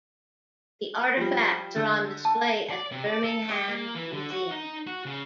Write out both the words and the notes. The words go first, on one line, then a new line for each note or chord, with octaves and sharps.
The artifacts are on display at the Birmingham Museum.
F3 G3
D3 E6 G6
A5
D5
C3
D5
A4
G4
A#3
E3
D3
F#4
D#4
F#4
C#3